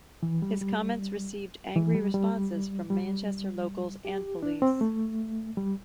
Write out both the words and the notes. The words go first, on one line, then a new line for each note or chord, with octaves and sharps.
His comments received angry responses from Manchester locals and police.
E3
G3
G3
E3
G3
G3
G3
G4
D4
C4
A3
G3